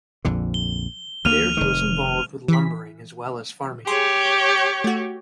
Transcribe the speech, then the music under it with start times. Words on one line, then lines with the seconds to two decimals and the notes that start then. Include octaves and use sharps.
There he was involved with lumbering as well as farming.
0.25 A#1 F2 D3
0.54 G7
1.25 D2 A#3 F6 D#7 F7
1.57 F1 D#3
2.48 E3 B6
3.87 G4 G#4 C#5 C6
4.84 A3 F#4